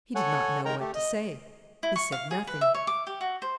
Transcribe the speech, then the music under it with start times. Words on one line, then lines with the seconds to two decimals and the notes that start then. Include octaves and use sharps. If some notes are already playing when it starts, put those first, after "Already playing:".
He did not know what to say; he said nothing.
0.15 A4 C#5 F#5 G#5
0.65 D#3 G#3 A#4 G5 A#5
0.80 A3 G4
0.95 D#5
1.83 E4
1.96 C#6
2.12 F5
2.31 G#4
2.47 B4
2.61 E5
2.75 C#5
2.87 D6
3.07 G4
3.21 F#4
3.42 C5